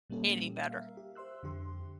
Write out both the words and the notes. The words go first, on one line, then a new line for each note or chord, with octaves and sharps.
Any better.
A#2 G3 A#3 C#4 G4 A4
A#4 E5 F5
G4
C5 E5 C6 E6 F#6
F2 D3 G4 C6